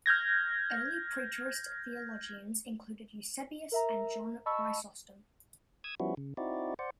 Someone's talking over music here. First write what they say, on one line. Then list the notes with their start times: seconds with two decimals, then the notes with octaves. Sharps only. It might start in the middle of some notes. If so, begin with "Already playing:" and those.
Early Preterist theologians included Eusebius and John Chrysostom.
0.06 F6 G6 G#6 A#6
3.72 A#4 E5 A#5
4.46 D#5 A5 B5 C#6 E6
5.84 D#6 E6 G#6
6.00 F3 G3 B3 C#4 E4 F#4
6.17 C#3
6.37 C4 D#4 E4 F#4 D5
6.79 C5 D5 F#5